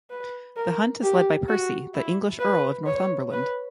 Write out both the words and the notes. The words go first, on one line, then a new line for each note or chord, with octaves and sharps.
The hunt is led by Percy, the English Earl of Northumberland.
B4
A#4
G4
F#4
E4
B4
C#5
B4